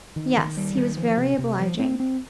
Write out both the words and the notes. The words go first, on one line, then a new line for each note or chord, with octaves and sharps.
'Yes; he was very obliging.
D#3
D#3
G3
D#3
F3
C3
C3
F3
C4
C4